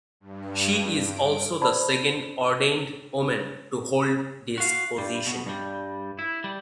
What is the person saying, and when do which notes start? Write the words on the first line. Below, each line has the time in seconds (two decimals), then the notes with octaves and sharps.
She is also the second ordained woman to hold this position.
0.20 G2
0.98 D7
1.61 C5 D5 F#5 A5 B5 C#6
4.58 F#4 F5
4.98 G2 G3
5.27 B2
5.46 G2 G3
6.19 E4
6.44 G3